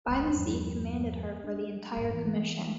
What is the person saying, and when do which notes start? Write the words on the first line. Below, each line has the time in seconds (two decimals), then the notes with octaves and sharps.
Bythesea commanded her for the entire commission.
0.08 E1 C#2 G#3
0.35 E2 G2 F3 G3
1.44 D4
1.97 E1 G#2
2.13 E3 A#3 B3